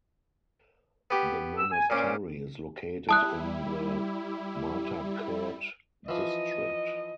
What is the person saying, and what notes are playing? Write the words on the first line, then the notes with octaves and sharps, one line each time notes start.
The monastery is located in the Martakert District.
B3 G4
E6
G#5
A#2 C#4 C5 D5 D6
G3 E4 A5 D#6 F#6
E3 F3 D#5